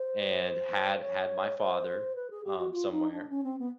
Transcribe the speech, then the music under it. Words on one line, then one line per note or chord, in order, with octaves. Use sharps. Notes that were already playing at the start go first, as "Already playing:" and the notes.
and had had my father, um, somewhere,
Already playing: C5
C#5
C5
B4
G#4
G4
F#4
F4
D#4
D4
C#4
C4
B3